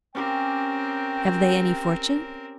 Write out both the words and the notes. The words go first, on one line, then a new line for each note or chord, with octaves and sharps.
"Have they any fortune?"
C4 C#4 G4 A#4 G5